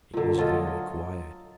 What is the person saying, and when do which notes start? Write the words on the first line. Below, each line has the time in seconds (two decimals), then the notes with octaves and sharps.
It was very quiet.
0.13 A#2 D3
0.37 F#3 F4 A4 D#5